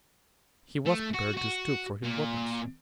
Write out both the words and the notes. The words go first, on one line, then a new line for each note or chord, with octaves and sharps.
He was prepared to stoop for his weapons.
A3
F#4
F#4
A#2